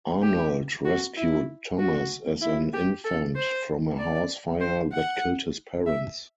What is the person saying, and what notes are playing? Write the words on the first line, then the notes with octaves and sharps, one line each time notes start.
Arnold rescued Thomas as an infant from a house fire that killed his parents.
G4
F#4
E4
F#4
E4
G4
A4
C5
D5
C5
F#5
E5